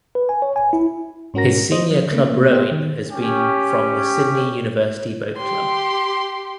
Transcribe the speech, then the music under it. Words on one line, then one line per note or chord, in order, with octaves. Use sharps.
His senior club rowing has been from the Sydney University Boat Club.
B4
G#5
C#5
G#5
E4
G#2 C#4 F#4 A#4 A#6
C5 D#5
F3
C#3 A3 A#3
B3 G4 C5
D#3
C#4 G4
G4 C6